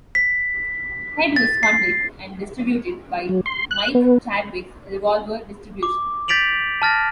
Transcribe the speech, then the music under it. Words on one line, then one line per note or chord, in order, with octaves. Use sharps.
Head was funded and distributed by Mike Chadwick's Revolver Distribution.
B6
A6
C7
F#3
C6
F#6
B3
D6
G6 A6 B6 D7 F7 F#7
A5 F6 A6 A#6